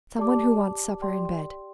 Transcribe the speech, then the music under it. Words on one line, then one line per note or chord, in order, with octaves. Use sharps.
"Some one who wants supper and bed."
G4 D5 A5 D6
G4 D5 G5 C6